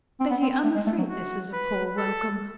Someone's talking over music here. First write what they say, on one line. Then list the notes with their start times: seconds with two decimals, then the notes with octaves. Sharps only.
Betty, I'm afraid this is a poor welcome.
0.20 C4
0.31 B3
0.42 C4
0.53 C4
0.64 A3
0.75 G#3
0.87 A3
0.98 F#3
1.09 F#4
1.53 B4
1.97 A4